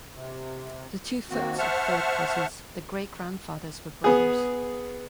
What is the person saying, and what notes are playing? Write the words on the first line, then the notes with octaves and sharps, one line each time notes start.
The two Footes are third cousins; their great-grandfathers were brothers.
C3
D#3 A#3 C4 F#4
C5 E5 F#5 A5 C#6 F6
B3 G#4